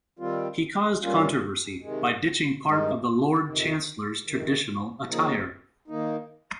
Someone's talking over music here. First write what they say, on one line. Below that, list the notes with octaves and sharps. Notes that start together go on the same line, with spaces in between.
He caused controversy by ditching part of the Lord Chancellor's traditional attire.
D#3 G3 C4 F4
G2 G3 A#3 C#4 F4
C3 D#3 G#3
G2 D#3 G#3 D#4
F2 C3 D#3
F2 C3 D#3
C#3 F3 A#3 D#4
D#3 A#3 D#4